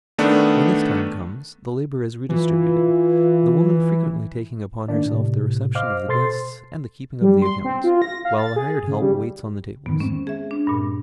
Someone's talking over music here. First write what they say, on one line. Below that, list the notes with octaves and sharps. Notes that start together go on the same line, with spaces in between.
When this time comes, the labor is redistributed, the woman frequently taking upon herself the reception of the guests and the keeping of the accounts, while the hired help waits on the tables.
D#3 A3 B3 D4
E3 F4
D#3 A#3 D4 D5
A2 C3
C5 D#5 F5 D6 F6
B2 A4 C5 C6 A6 C7
G3
C6
C4
F4
A#6
F5
A6
G#4
C#3
G3
F2 G#2 D#3 B3
G#3 C4 C#4
G#4 E5
D4
G2 A#2